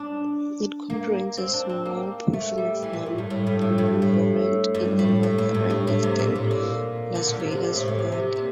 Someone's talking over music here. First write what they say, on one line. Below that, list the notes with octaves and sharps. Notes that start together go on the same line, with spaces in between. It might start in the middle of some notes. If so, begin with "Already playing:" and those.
It comprises a small portion of Lamb Boulevard in the northeastern Las Vegas Valley.
Already playing: D4
A#3
C4
D4
C4
A#3
A3
G3
E3
A#2
A2
G2
A2
G2
A2
G2
A2
G2
A2
A2
A2
G2
A2
A2
C3
A#2
A2
A#2
D3
A#2
C3
D3
C3
A2
E3
C3
C3
A#2